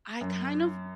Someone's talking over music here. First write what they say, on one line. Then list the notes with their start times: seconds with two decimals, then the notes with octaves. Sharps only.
I kind of
0.21 F#2